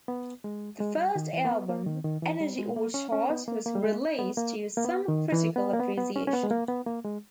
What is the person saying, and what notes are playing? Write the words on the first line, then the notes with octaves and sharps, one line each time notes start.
The first album, "Energy Orchard", was released to some critical appreciation.
B3
G#3
G#3
G3
D#3
E3
A#3
B3
A#3
D#3
D#3
E3
G3
G#3
A#3
C#4
C#4
B3
A#3
A#3
G3
G#3
B3
A#3
A#3
B3
D#3
E3
B3
A#3
B3
B3
C#4
C#4
B3
G#3
A#3
B3
A#3
G#3